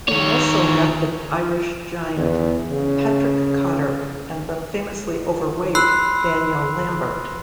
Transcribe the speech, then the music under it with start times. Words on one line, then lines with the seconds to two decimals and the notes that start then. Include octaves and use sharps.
He also met the Irish giant Patrick Cotter and the famously overweight Daniel Lambert.
0.09 D#3 C#5
2.17 E2
2.71 C#3
5.75 B5 C6 E6 F#6 C7